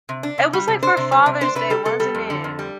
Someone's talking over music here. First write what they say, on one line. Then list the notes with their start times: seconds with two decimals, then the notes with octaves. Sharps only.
it was like for Father's Day, wasn't it?
0.09 C3
0.23 D4
0.38 C3
0.53 G3
0.68 C3
0.83 D4 C5
0.97 C3
1.12 G3
1.26 C3
1.41 D4 C5
1.55 C3 B4
1.70 G3 A4
1.85 C3 A4
2.00 G3 A4
2.15 F2
2.30 D3
2.44 F2
2.59 G3